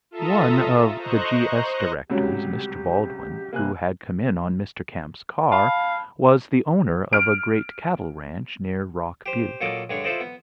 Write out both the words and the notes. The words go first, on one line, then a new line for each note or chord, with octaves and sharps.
One of the G. S. directors, Mr. Baldwin, who had come in on Mr. Camp's car, was the owner of a great cattle-ranch near Rock Butte.
F4 A4 E5 A5 A#5 D#6
C5 D#5 A#5 C#6 F#6
C2 C#3 F#3 G#3 F#4 G4 C#5
C3 A#3 G#5 F#6
F5 A5 B5
F6 D7
G4 C5
A#2 F#3 F4 A4 D#5 D6
G2 D3 G#3 D4 C#5
E4 F4 A4 C5 D5 D#5
B3